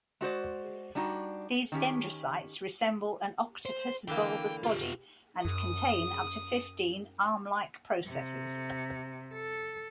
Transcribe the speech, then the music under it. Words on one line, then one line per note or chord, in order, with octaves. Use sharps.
These dendrocytes resemble an octopus bulbous body and contain up to fifteen arm-like processes.
G#3 F#4 C5 D5
G3 D4 D#4 F#4
D#3 C#4 G4
C5
D3 E3 A#3 G5
F4 G4
F#2 D#6
C3
A4